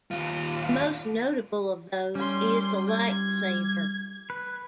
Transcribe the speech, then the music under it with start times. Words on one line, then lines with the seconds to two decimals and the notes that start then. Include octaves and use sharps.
The most notable of those is the Lightsaber.
0.11 D#2 F4
2.15 G3 C#4 C6
2.88 G#6
4.30 B4